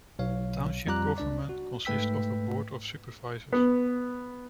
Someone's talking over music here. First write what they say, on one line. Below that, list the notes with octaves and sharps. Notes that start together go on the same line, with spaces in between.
Township government consists of a board of Supervisors.
B1 C#5 F5
F2 G3 F4 A#5 D6 F#6
C#2 D4 D5
F#4
G#2 A3 B4 G5 E6 B6
B3